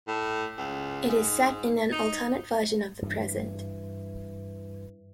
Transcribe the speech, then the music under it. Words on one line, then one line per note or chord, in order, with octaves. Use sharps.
It is set in an alternate version of the present.
A2
C#2
G#2
D#4
G2 E3